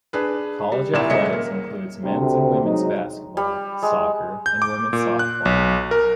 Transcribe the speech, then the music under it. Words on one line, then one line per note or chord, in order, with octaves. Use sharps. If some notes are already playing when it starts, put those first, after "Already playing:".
College athletics includes Men's and Women's basketball, soccer and women's softball.
D4 G#4 B4
G3
G#1 A#2 E4 E7
D#1 G#3 C#4 D#5 E5 C#7
A#3
D2 C3
F#3 G#3 D#4
G3
G#3
G6
D6
A#2
F#6
B1
A#4